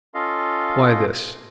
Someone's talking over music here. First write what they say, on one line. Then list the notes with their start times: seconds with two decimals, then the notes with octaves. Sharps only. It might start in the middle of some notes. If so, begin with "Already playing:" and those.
"Why, this..."
0.14 C#4 F4 A4 D#5 F5